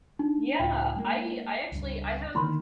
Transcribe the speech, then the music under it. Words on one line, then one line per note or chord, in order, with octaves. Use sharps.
Yeah, I I actually I have,
D4 D#4
C#2 A2 F4 G5
G#3 A#3
C#2 G2
D3 D#3 A#3 E4 B5 C6